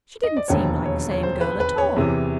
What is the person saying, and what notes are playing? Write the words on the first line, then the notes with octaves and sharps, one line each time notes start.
She didn't seem like the same girl at all.
D#5
D5
E1 D#2 D3 F3 C#5
C#5
C#5
C5
B4
B4
C#5
E2 C3 E3